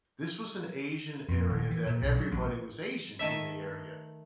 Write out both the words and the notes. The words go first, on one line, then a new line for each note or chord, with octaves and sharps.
this was an Asian area that everybody was Asian in the area,
F2
D#1
E3
A#2
B1
F#3
A1
D#3 A3 E5